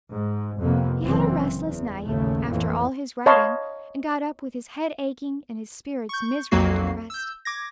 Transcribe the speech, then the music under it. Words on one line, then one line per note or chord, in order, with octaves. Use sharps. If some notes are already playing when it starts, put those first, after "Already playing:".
He had a restless night, after all his writing, and got up with his head aching, and his spirits miserably depressed.
G#2
F2 C3 A#3 B3
F#1 E3 C4
E2
A1 D#2 A#2 C#3 A3
F2 A2 E3 A#3
C#5 D#5 F5 A5 B5 C6
C#6 G6
B1 F2 F#3 A#3 F#4 C7
E6 G6
D6 G#6 A#6